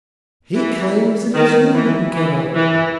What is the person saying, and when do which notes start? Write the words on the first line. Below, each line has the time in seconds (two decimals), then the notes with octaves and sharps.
"He claims it is you who cannot talk."
0.55 E3
1.34 D#3
1.74 E3
2.14 E3
2.53 E3